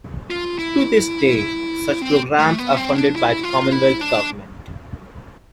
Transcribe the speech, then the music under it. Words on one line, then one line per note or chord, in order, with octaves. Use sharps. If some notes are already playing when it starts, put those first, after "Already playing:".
To this day such programs are funded by the Commonwealth Government.
F4
E4
C4
A3
B3
C4
D4
E4
F4
E4
D4